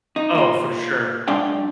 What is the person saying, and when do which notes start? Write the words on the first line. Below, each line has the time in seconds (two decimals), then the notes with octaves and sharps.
Oh, for sure.
0.16 D#4
0.35 A#3 F4
1.28 F#2 G#3 D4 F5 G5